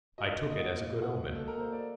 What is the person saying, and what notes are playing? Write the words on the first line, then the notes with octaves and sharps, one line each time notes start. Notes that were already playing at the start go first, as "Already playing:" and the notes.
I took it as a good omen.
F#4 D#5
A#3 D#5
F#5
A#3
F#4 F#5
A#3
A4
A#4
A#3 C5
D5